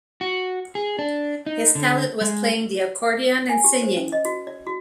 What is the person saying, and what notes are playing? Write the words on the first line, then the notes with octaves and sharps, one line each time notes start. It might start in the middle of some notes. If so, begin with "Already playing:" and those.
His talent was playing the accordion and singing.
F#4
G#4
D4
D#4
D3
G#3
G#5
G4
C5
C#4
D#5
F#4
D5
F#4